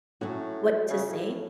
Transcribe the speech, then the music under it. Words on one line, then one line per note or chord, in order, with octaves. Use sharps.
what to say,
A2 F#3 C#4 F#4
C#3
A2